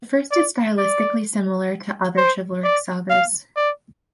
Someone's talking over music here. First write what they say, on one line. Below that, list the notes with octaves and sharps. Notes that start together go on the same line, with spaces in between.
The first is stylistically similar to other chivalric sagas.
D5
D5
C5
D5
F5
D5